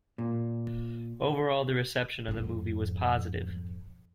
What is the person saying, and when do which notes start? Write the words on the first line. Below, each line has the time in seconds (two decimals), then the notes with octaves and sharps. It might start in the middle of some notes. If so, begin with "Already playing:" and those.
Overall, the reception of the movie was positive.
0.18 A#2
2.28 F2 G#2